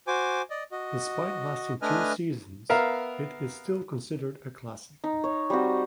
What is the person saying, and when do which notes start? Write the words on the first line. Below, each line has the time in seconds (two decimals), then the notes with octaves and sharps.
Despite lasting two seasons, it is still considered a classic.
0.07 F#4 C5 G#5 D6
0.50 D5 D#5
0.72 F#4 D#5
1.82 A3 D4 B4 D#5 G#5 F6
2.70 B3 A#4 E5 F5
5.04 D#4
5.24 C#5
5.50 G3 C4 F#4